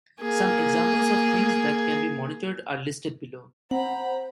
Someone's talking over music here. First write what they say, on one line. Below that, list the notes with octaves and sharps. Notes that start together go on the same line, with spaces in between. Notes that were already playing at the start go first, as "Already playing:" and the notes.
Some examples of things that can be monitored are listed below.
A#3 G#4
C4 C5 F#5 A#5 B5